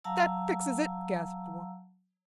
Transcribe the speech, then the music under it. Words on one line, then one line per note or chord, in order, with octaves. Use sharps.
"That fixes it!" gasped one.
F#3 F5 F#5 A5 A#5 E6